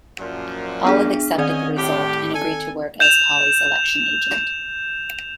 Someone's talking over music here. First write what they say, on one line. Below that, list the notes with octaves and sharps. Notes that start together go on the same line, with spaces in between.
Olive accepted the result, and agreed to work as Paulley's election agent.
F#2 A#2 F3
B3 D4 G#4
D#3 C4 C#4 D5 D#5 G#5
A2 G4
A4 G#5
G6 E7 F7